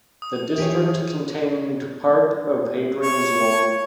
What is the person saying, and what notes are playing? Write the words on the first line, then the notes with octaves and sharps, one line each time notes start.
The district contained part of Hadrian's Wall.
D#6
E3 G4 G#4 C#5
C#5